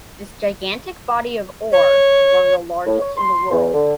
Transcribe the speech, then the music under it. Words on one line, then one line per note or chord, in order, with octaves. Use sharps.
This gigantic body of ore is one of the largest in the world.
C#5
A2
C#5
C6
E2
D3